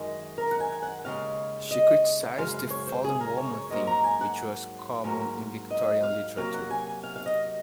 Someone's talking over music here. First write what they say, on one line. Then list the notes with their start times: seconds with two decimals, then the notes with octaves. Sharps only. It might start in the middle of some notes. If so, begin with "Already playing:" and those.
She criticized the "fallen woman" theme, which was common in Victorian literature.
Already playing: F#2 D#3 G#3
0.38 A#4
0.51 F#5
0.60 G#5
0.82 F#5
1.04 D#2 C#3 G#3 F5
1.71 D#5
2.37 F#2 C#3 G#3 F5
2.54 F5
2.70 C#5
2.87 C5
3.04 G#4
3.21 A#4
3.37 C#5
3.54 C#5
3.70 G#2 F#3 A#3 D#5
3.87 A#5
4.04 G#5
4.21 F#5
5.04 G#2 F#3 A#3
5.70 D#5
6.03 F5
6.37 C3 F#3 A#3 F5
6.54 F#5
6.71 G#5
6.87 G#5
7.03 F5
7.16 F5
7.26 D#5